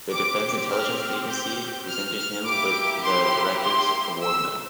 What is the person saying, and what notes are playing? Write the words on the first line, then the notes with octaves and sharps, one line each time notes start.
The Defense Intelligence Agency presented him with the Director's Award Medal.
C4 G4 D6
F6
G6
F6
F6
A#3 E4 G4 D6
C6
C6
E6